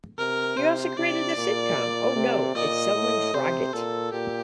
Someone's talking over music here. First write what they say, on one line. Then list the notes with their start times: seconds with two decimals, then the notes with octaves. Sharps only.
He also created the sitcom Oh No, It's Selwyn Froggitt!
0.18 C3 A#4
0.58 C3 C5
0.98 C3 D5
1.37 A#2
1.77 A#2
2.16 C3
2.55 A#2 D#5
2.95 A2
3.34 C3 C5
3.73 A#2 A4
4.12 A#2 G4